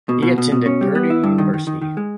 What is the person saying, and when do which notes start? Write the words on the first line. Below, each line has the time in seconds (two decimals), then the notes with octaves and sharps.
He attended Purdue University.
0.09 B2
0.23 B2
0.38 B2
0.52 B2
0.66 C#4
0.81 G3
0.95 B3
1.10 E4
1.24 G2
1.38 D#3
1.54 D#3
1.67 D#3
1.82 D#3
1.97 G#3